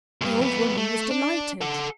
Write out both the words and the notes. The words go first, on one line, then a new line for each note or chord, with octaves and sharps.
The old woman was delighted.
D2 G2
F2 B3
A3
D4
A4 F#5